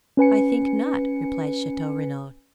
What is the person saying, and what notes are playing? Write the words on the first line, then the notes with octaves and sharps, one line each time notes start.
"I think not," replied Chateau-Renaud.
C#4 B4 G#5 C#7